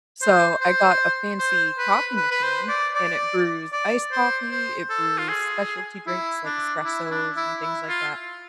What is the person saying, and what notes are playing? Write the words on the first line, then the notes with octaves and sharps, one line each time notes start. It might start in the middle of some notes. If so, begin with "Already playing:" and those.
So I got a fancy coffee machine, and it brews iced coffee, it brews specialty drinks like espressos and things like that.
C5
C5
C5
B4
B4
B4
C5
D5
D5
D5
C5
C5
A4
F4
G#4
E4
D4
E4
D4
E4
E4
F4